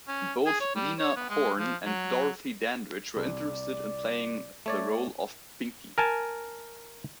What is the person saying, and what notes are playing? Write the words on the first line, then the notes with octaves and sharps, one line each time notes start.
Both Lena Horne and Dorothy Dandridge were interested in playing the role of Pinky.
C#4
G#4
C#5
G3
C#5
B3
G#3
F3
F#3
C2 D5
A3 C#5 D5
A#4 G#5 A5